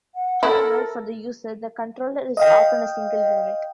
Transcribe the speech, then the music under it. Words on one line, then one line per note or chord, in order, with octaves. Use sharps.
However, for the user, the controller is often a single unit.
F#5
E4 A4 A#4
D#5 F5 G5